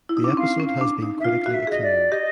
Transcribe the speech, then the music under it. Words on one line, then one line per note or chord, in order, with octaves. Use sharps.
The episode has been critically acclaimed.
E4
D#4
D4
C#4
C4 F5
C#4 F5
D4
D#4
E5
F4 F5
F#4
E5
G#4 D#5
D5
G4 D#5